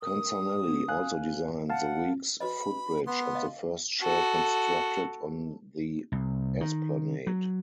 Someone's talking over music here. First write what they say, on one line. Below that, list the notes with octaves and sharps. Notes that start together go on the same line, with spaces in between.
Canzanelli also designed the Weeks footbridge and the first shell constructed on the Esplanade.
A#4 D#6
B3
F5 G#5 F#6
F5 F#5 A5
F#4 B4 D#5 B5
B3 C6
D#5 F5
F#4 A4
C2
D#3
F#3